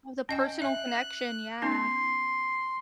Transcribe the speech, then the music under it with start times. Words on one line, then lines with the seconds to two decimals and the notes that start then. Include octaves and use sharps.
Oh, the personal connection, yeah.
0.29 C#4 D#5 G5 G#5
0.62 E5 F#6
1.62 B3 C#4 D#4 C6